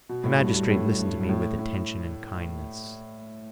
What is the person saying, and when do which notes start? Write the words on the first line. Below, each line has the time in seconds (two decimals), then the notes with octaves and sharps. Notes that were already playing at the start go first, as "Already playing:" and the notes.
The magistrate listened to me with attention and kindness.
0.09 B2
0.24 A2
0.39 G2
0.54 G2
0.69 A2
0.99 G2
1.20 G2
1.29 A2
1.59 A2